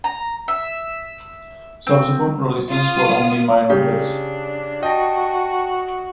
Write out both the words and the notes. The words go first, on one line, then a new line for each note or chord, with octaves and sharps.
Subsequent releases were only minor hits.
A#5
E5
C4
F4 F5 D#6
C#3 D4 G4
F#4 D#5 G5 A5 A#6